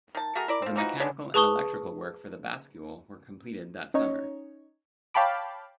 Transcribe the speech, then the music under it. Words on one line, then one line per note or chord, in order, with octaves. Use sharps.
The mechanical and electrical work for the bascule were completed that summer.
D#3 A5
A3 F#4 G#4 A#4
E4 A#4 D5
F3 C4
E3 F3 D#4 F#4
G#3 B3 C#4 D4
G#4 B4 A5 C#6 D#6 G7
C#4 D#4 C#5
C#5 F5 G5 A5 B5 D6